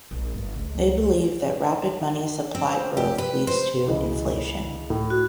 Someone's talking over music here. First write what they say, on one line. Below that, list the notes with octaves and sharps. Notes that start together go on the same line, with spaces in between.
They believe that rapid money supply growth leads to inflation.
A#1
G1
C#2
C4
G4
B4
C5
C#2 E3 D#5
A2
F#4